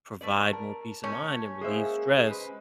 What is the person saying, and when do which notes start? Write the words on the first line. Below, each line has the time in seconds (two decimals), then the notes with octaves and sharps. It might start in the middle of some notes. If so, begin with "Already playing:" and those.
provide more peace of mind, and relieve stress,
0.21 A3 B4 D5
0.53 A#4 A5
1.04 A3 C#4
1.61 G#3 A#3 G#4 C5 E5
2.27 G#3 B4